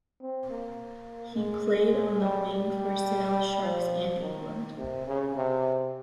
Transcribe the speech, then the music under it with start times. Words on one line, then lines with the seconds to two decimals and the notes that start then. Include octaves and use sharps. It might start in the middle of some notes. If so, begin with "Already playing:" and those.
He played on the wing for Sale Sharks and England.
0.21 C4
0.50 A#3
1.36 G#3
2.21 G3
2.49 G3
3.63 F3
4.21 D#3
4.78 C3
5.07 C#3
5.36 C3